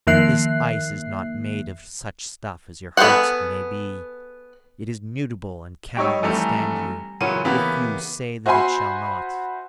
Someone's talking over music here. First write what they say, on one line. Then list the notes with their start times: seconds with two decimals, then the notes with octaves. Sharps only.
This ice is not made of such stuff as your hearts may be; it is mutable and cannot withstand you if you say that it shall not.
0.07 F2 D#3 A#3 E5 F#6 C7
2.97 B3 G#4 A4 C5 F#5
5.97 G3 D#4 C#5 G5 C#6 E6
6.23 F1 E3 G3 A3 G#5 A#5 G6
7.21 A#2 C#3 E3 F#3 B3 D#7
7.45 E3 A#3 B3 G4
8.46 F#4 C5 E5 G#5 B5 C6